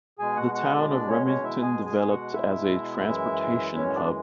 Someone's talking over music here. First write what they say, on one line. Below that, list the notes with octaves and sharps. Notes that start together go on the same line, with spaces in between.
The town of Remington developed as a transportation hub.
B2 G#3 G#4 G#5
F#4 F#5
F#4 F#5
D4 D5
D4 D5
C#4 C#5
C#4 C#5
E4 E5
G#4 G#5
G#4 G#5
G#5
F#4 F#5
E4 E5
F#2 E3 G#3
C#4 C#5
D4 D5